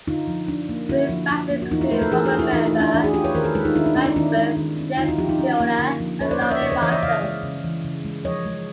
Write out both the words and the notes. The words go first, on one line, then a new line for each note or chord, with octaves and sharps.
Touring bassists include former member Mike Berg, Jeff Fielder, and Lonnie Marshall.
D3 D#4 F4
F3
D4
A#3
D3 E4 F#4
F3
D4
A#3
F#4
E3 D#4 F4
E4 F#4
A3 A#4 C5
A4 B4
E3 G#4 A#4
F#4 G#4
D4
E4 F#4
E3 D#4 F4
D#4 F4
A3
D4 E4
E3 D4
F#4 G#4
D4 F4 G4
B4 C#5
D#3 A#4 C5
A4 B4
G#3 A4 B4
D#4 F4
D#3 D4 E4
D#4
C4 D4
D#4
D#3 D4 E4
G#3
D#3
C4
D3 D#4 F4
E4 F#4
F3 F4 G4
D#4
C#4
A#3
D3
F3
C#4 B4 C#5
C5 D5
A#3 C#5 D#5
D5 E5
C#3 C#5 D#5
C5 D5
E3 C#5 D#5
D5 E5
C#3 D#5 F5
G#3
C#3
E3
C#3
G#3
F3 C#5 D#5
G#3